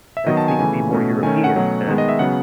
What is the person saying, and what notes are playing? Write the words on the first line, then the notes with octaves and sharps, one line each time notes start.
that I just need to be more European and
E5
D#3 F#3 B3 D#5
A5
G#5
C#3 E3 A3 G#5
B2 A3 C#4
D#3 A3 C#4 G#5
F#5
B2 F#3 A3 C#4
D#3 G#3 B3
D#5
E5
C#3 F#3 B3 F#5